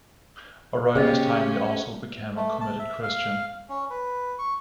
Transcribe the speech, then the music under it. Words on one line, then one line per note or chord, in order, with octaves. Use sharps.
Around this time he also became a committed Christian.
C#3 C#4 G4 G#4 C5 D#5
A3
A5
E5
F5
C#4
B4
C#6